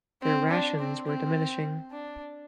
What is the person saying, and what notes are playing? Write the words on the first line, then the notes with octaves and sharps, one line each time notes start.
Their rations were diminishing.
C4
D4
C4
C4
D4